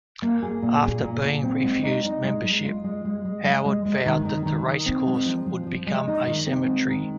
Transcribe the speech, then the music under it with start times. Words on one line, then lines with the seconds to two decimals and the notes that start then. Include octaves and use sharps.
After being refused membership, Howard vowed that the race course would become a cemetery.
0.22 A#3
0.43 G#4
0.62 A#2
0.83 G#4
1.03 A#2
1.23 A#2
1.43 C4
1.63 G#3
1.83 D#4
2.04 D#4
2.24 G#3
2.45 G#3
2.65 F4
2.84 G#3
3.05 G#3
3.25 G#3
3.45 G#3
3.65 G#3
3.85 G#3
4.06 D#3
4.25 D#3
4.45 D#3
4.65 D#3
4.86 C4
5.06 G#3
5.26 F3
5.46 F3
5.67 F3
5.87 G#3
6.07 D#4
6.27 D#3
6.47 C4
6.68 G#3
6.88 D#3